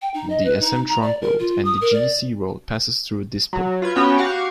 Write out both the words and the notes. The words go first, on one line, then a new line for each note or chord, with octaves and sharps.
The Assam Trunk road and the G S road passes through Dispur.
G5
D#4
D#5
B4
D#4
A#5
D5
A#4
F4
D#6
A#4
D5
F#3
F4 B4 G#6
B3 C#4 F#4 C#5 G5
F#4 G4 F5 F#5 C#6